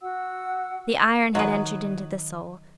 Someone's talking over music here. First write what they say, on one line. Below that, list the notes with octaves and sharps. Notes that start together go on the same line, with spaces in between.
The iron had entered into the soul.
F#4 F#5 E6
D#3 F#3 B4 D#5 D#6